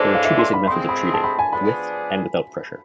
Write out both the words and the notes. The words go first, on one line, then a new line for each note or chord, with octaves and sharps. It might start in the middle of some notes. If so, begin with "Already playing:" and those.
There are two basic methods of treating: with and without pressure.
Already playing: A2 E3 G#3 D4 A4 C5 D5
F5
E5
C6
B5
C3 G#3 C4 G#4 C6
B5
A5
B5
G#5
F3 B3 D4 G#4 D5 B5